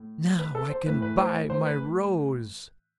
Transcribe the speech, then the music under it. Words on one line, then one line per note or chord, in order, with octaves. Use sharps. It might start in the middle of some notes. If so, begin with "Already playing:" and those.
"Now I can buy my rose!"
Already playing: A2
B4
A4
C5
A2 E3 B4
B4
C5
C5
B4